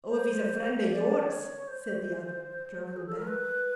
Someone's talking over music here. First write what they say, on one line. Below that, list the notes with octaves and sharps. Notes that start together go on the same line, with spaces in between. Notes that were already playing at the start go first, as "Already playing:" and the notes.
"Oh! if he's a friend of yours," said the other, drawing back.
C5
D5
D5
C#5
C5
G#4
A4
A#4
B4